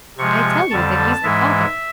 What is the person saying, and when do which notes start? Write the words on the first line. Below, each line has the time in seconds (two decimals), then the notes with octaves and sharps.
"I tell you that he's the father."
0.18 C3 F3 G#3 C#6
0.70 F2 D3 G3 A5
1.23 G#2 E3 G#3 E5